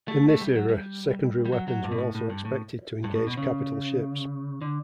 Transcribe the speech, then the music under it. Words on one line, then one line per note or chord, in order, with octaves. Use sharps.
In this era, secondary weapons were also expected to engage capital ships.
A3
A3
G3
F#3
G3
G3
F#3
F#3
G2
B2
A2
A2
G2
A2
G2
A2
B2
C#3
D3